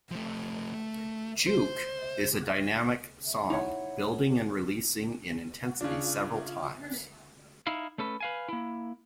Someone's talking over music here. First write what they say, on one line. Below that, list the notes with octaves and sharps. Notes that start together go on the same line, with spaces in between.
"Juke" is a dynamic song, building and releasing in intensity several times.
F3 A3
A3
C5
D#4 E4 C#5 F#5
C#3 D4 F4
D#4 E4 F5
A3 C#4 A4 B4
B4 F5 G#5
A#3 E4